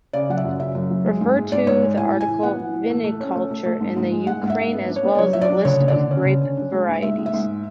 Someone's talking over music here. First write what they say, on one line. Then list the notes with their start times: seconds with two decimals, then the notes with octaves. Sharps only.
Refer to the article viniculture in the Ukraine as well as the list of grape varieties.
0.13 C#3 D5
0.29 F#3 F#5
0.37 E5
0.45 F#2
0.60 C#3 E5
0.75 F#2
0.90 F#3
1.06 G#3
1.21 G#2
1.37 G#3
1.52 G#2 D5
1.67 G#2 C#5
1.83 G#3
1.97 A2 G#5
2.12 A2
2.21 G#5
2.28 E3
2.43 B3 F#5
2.59 E3
2.74 A2
2.90 A3
3.04 A3
3.21 C#4
3.35 A3
3.51 A3
3.66 A3
3.81 G#2
3.97 G#2
4.12 G#3
4.27 G#2 F#5
4.43 G#2 F#5
4.50 E5
4.57 G#2
4.73 B3 E5
4.89 D4
4.96 C#5
5.03 B3
5.15 D5
5.18 F#3 C#5
5.33 F#3 E5
5.41 D5
5.49 D4
5.65 D3 C#5
5.80 D3
5.88 D5
5.96 D3
6.11 C#4
6.26 D3
6.41 C#4
6.57 D4
6.72 G#3
6.88 G#2
7.03 G#2 E5
7.18 G#2
7.26 E5
7.33 G#2